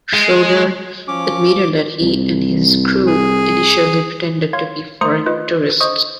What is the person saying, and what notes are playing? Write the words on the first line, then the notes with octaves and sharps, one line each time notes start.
Schroeder admitted that he and his crew initially pretended to be foreign tourists.
G#3
F3 C#4 D6
C2
G#4
C#5 F5 C6 G#6
A3 C5 A#5 C6 D#6 C#7
F4 B4 D#5
C5 D#5 C#6 D#6